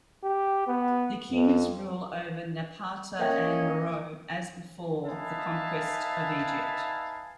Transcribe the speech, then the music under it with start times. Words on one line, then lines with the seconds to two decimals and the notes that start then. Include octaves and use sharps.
The Kings rule over Napata and Meroe as before the conquest of Egypt.
0.23 G4
0.67 B3
1.32 F2
3.20 A#3 C#4 C5 C#5 D#5 E5 G5
5.06 D#4 B4 E5 F5 G#5 A5